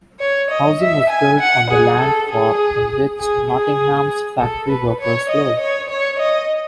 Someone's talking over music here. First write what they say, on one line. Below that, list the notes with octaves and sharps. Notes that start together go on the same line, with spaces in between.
Housing was built on the land for in which Nottingham's factory workers lived.
C#5
D#5
E5
G#5
F#5
G#4
A4
G#4
G#4
G#4
A4
B4
C#5
D#5
C#5
C#5
D#5